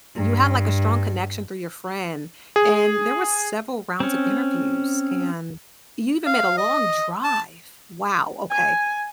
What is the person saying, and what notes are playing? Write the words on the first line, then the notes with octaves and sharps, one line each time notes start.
You had, like, a strong connection through your friend, and there were several rounds of interviews, and you even made a long drive! Wow, okay.
G2
G#4
C4 C#4
F5
D#5
A5
G#5